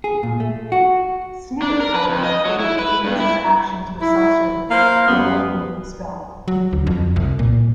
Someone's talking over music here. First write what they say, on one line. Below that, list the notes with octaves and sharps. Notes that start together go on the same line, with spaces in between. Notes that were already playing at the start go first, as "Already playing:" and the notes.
Snape, however, believes James's actions were self-serving, to avoid being expelled.
G#4
A#2
A3
F#4
D4
A#4
B4
F2
D#5
F#3
E4
B4
G2
E4
E4
A#3 C5 F5
F#2 B3
F#3
D2
F2
C2
A#2